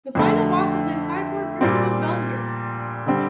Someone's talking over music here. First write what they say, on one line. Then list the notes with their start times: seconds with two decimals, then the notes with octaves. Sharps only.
The final boss is a cyborg version of Belger.
0.15 F2 D3 A3
1.61 A#2 G3 C4
3.06 D3 G3 C4